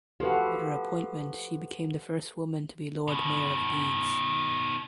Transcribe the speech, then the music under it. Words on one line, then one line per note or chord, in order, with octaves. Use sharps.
With her appointment she became the first woman to be Lord Mayor of Leeds.
F3 F#4 G4 A4 B4
B2 D#3